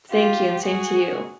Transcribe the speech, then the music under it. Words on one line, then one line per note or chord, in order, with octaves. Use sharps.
Thank you, and same to you.
F4 G4
F#4 G#4